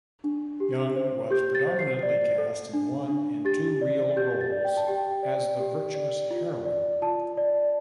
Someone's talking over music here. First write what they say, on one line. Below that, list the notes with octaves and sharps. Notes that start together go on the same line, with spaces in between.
Young was predominantly cast in one and two reel roles as the virtuous heroine.
D4
G4
C5
G4 G6
A6
C5
C7
D5
A4
D4
D4
G4 A6
D5
G4 G6
A6
D5
G5
A5
G4 G5
D5
G4
D5
F4
D5
F4 A5
D5